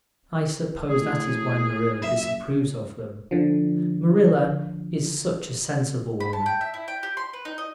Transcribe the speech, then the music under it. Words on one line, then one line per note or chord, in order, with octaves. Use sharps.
I suppose that is why Marilla disapproves of them. Marilla is such a sensible woman.
A2 G#4
F#1 E5
D3 F3
B5
A5
G5
E5
E4
G5
G4
C6
B4
D#4
D#5